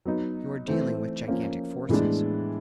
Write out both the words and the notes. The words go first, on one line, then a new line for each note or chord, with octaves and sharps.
You are dealing with gigantic forces.
F#3 B3 D#4
E3 A3 C4
F3 A#3 C#4
A2 E3 G#3 B3 D4